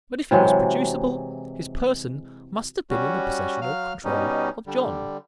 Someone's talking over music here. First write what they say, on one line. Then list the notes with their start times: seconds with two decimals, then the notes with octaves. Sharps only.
But if he was producible, his person must have been in the possession or control of John.
0.31 C3 E3 F#3 G#3
2.90 G3 C#4 F#4
3.62 F#3 F5 F6
4.04 B2 G3 C#4 D#4
4.67 D3 G3